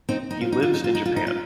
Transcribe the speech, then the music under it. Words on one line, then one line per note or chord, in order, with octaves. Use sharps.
He lives in Japan.
C4 D#4
D#4
F4
D#4
F4
D#4
F4
D#4
F4
D#4
F4